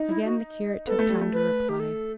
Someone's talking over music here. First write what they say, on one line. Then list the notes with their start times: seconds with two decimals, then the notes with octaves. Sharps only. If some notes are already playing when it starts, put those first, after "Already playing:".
Again the curate took time to reply.
Already playing: D#4
0.09 E4
0.25 F#4
0.87 B3 A4
0.99 A3
1.09 G3
1.21 A3
1.33 B4
1.69 G4
1.80 A4